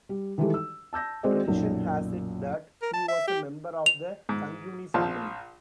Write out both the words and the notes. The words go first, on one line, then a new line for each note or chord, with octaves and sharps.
Tradition has it that he was a member of the Sanguini family.
G3
D#3 E3 G3 G#3 G4 A4
E6
A5 E6 G6 A#6
G#3 C4 F#4 G#4 D5 D#5
B1 F#2 A#2
A#4
A5
E5
G4
F7
G#2
A#1 F3 A5